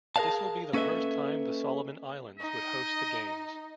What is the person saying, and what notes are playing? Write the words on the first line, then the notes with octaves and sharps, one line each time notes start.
This will be the first time the Solomon Islands would host the Games.
G#4 A#4 B4 D5 F5 A5
A#3 C#4 A4 B4 D#5 E5
D#4 D#5